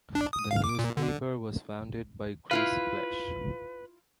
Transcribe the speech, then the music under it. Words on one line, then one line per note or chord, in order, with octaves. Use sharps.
The newspaper was founded by Chris Flash.
D4
D#6
F5
D6
A#2
D3
E4 F4 B4 F5